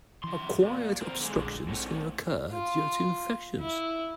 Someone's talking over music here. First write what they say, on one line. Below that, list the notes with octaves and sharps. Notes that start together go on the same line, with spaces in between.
Acquired obstructions can occur due to infections.
F#2 E3 C6
A#2
C4 A#4
D3 G#3
A#1
C2 A2
F4
E4